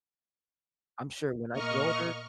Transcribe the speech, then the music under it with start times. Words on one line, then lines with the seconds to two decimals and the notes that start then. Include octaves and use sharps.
I'm sure when I get older,
1.53 A#2 A#3 D#5 C#6 F6